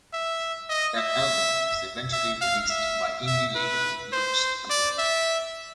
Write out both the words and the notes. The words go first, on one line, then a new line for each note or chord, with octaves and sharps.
That album was eventually released by indie label Loose Groove.
E5
D#5
E5
E5
F5
E5
E5
B4
C5
D5
E5